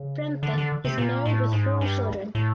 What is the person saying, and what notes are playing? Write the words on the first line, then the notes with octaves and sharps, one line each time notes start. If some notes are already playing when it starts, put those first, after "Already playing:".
Prempeh is married with four children.
Already playing: C#3
D3
D3
C3
A#2
A2
G#2
G2
A2